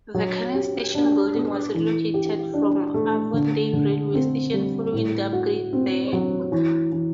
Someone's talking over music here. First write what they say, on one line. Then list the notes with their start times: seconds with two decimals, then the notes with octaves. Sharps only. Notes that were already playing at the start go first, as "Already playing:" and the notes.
The current station building was relocated from Avondale Railway Station following the upgrade there.
0.15 F#3
0.54 G4
0.95 D4
1.35 B3
1.74 E3
2.14 G4
2.54 D4
2.94 A3
3.34 D3
3.73 D3
4.14 C4
4.53 G3
4.93 A2
5.33 F#4
5.73 C4
6.13 F#3
6.52 E3
6.92 E3